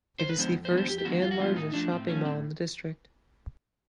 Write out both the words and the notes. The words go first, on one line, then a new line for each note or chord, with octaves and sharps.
It is the first and largest shopping mall in the district.
F2 C5
B4
D3 F3 G#3 B3 C5
F2
C5
D3 F3 G#3 B3
C5
F2 G4
G4
D3 F3 G#3 B3 F#4
F2 F4
F#4
D3 F3 G#3 B3 F4
A2 D#4
F3 A3 D4
A2 C4
F3 A3 C#4
A2 C4